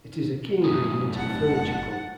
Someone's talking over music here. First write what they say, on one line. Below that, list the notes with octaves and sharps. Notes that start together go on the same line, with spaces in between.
It is a key ingredient in furniture glue.
F#2 A2 D#6
F1 F#5 A5